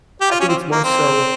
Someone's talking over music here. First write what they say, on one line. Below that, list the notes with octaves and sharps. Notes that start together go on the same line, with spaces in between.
I think it's more so
G4
F4
C#4
C4
A#3
C4